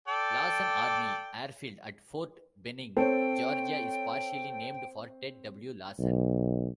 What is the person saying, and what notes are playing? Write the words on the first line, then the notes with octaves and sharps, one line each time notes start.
Lawson Army Airfield at Fort Benning, Georgia is partially named for Ted W. Lawson.
A4 D5 G5
C4 A4 C#5 G5
B1